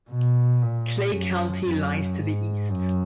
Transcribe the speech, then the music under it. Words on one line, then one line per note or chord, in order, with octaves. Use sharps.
Clay County lies to the east.
B2
A#2
F#2
F#2
G#2
F#2